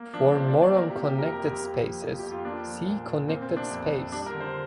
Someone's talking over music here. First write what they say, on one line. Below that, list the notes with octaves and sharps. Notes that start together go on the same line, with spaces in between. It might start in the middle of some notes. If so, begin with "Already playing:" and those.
For more on connected spaces, see Connected space.
Already playing: A#3
F3 D4
C3 C4
D5
C3
D5
A#3 A#4
G4
C3
G4
F2 A#4
A#4
F2
G4
A#3
F3
F2
F2 G4
F4
A#3 D4
F3
A#2
A#2
A#3 C4
C4
C3
D4
F2
F2
G3 D4
A#4
D3
C5